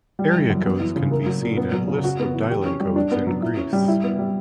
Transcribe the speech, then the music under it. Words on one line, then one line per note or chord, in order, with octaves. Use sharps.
Area codes can be seen at List of dialing codes in Greece.
G3
E3
F#2
B3
E3
C#3
A#3
F#3
A#2
B3
F#3
C#3
F#4
B3
E3
G4
C#4
G3
D4
B3
F#3
E4
C#4
G3
E4
B3
G3